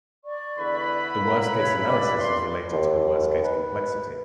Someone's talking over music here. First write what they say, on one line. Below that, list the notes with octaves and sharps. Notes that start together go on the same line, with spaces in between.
The worst-case analysis is related to the worst-case complexity.
D5 C#6
E2 D3 E4 B4 B5
B3 F4 A#4 A#5
C#3 C#5
A#1 G2 A#2 D5 D6
C6
D#2
B4